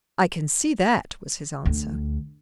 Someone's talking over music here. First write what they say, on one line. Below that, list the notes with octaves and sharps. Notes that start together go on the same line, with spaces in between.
"I can see that," was his answer.
D2